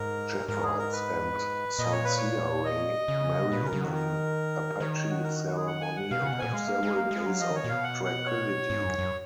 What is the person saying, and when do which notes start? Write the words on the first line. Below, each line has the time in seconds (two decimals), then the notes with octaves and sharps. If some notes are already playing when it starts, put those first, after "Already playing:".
Jeffords and Sonseeahray marry in an Apache ceremony and have several days of tranquility.
Already playing: G#2 A#4
0.48 G#2 A#4
0.63 G#4
0.78 A#4
0.92 B4
1.79 A#2 D#5
1.92 C#5
2.04 B4
2.17 C#5
2.65 D#5
3.08 C#3
3.44 B2
3.52 A#2 B4
3.63 C#3 A#4
3.73 C#3
3.80 D#3 F#4
3.95 A#4
4.80 D#3 C#5
4.95 C#5
5.10 F#4
5.23 A#4
5.34 F#4
5.45 F#4
5.56 G#4
5.67 F#5
5.81 G#5
5.96 F#5
6.11 B2 F5
6.21 C#3 F#5
6.32 B2
6.39 A#2 G#5
6.53 G#3 F5
6.68 A#3
6.83 G#3
6.96 A#3
7.11 G#3
7.26 F#3
7.40 F3 D#5
7.50 D#3 C#5
7.64 A#2
7.69 B2 F5
7.84 F#5
8.04 F#5
8.26 C#5
8.70 G#2
8.84 F#2
8.99 F#2